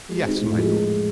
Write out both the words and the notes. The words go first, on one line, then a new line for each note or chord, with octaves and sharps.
"Yes, my lord."
G#3
C4 D#4 F#4
A2
F3 G#3